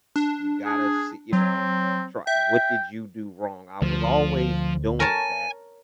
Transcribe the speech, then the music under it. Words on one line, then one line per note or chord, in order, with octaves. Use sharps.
You gotta see" you know, eh, "Try what did you do wrong?" I was always doing that,
D4
G#4
F#3 C4
E5 G5
D2 F3
A#4 C#5 G#5 A5